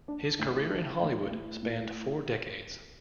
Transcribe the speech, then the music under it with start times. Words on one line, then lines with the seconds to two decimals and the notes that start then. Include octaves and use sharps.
His career in Hollywood spanned four decades.
0.08 D4
0.39 A1
0.70 D4
1.02 A1
1.31 A2
1.62 A2